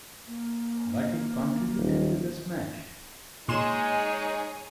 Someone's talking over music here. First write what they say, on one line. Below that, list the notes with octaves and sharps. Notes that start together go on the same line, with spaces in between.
But it contributed to the smash.
A#3
D#1
A#2 G#3 D#4 G#4 C#5 C6 E7